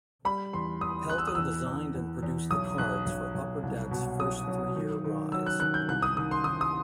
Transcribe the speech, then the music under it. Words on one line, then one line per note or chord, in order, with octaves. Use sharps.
Pelton designed and produced the cards for Upper Decks first three-year rise.
G3 B5
E2 C6
E2 D#6
E2 F#6
E6
D#6
E2 E6
E2
E2
E2
B1 D#6
B1 F#6
B1
B1
C2
B2
F#3 D#6
F#3
D#3
D#3
F#3 E6
F#6
D#3 F#6
G6
C2 F#6
D#6
D#3 D#6
C6
D#3 D#6
D#6